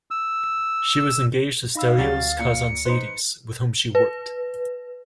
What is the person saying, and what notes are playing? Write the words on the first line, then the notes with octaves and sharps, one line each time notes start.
She was engaged to Stelios Kazantzidis, with whom she worked.
E6
D#4 F5 B5 E6
D2 F#3 G3 C#4 A6
A#2 C#7
D#4 B4 C5 C6
B4